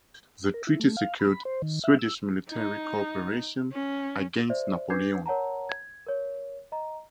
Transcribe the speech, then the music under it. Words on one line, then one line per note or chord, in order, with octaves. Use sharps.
The treaty secured Swedish military cooperation against Napoleon.
A#4
E4
A3
F5
B5
C5
D#3
E5
E6
D#4
C#4
C5 D5 E5
D4 B4 D6 G6 G#6 C7
A#4 C#5 F#5 A5 A#5
G#6
A#4 C#5
D#5 A#5